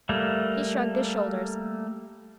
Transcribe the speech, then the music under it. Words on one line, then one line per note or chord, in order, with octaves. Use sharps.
He shrugged his shoulders.
G3 A3 A#3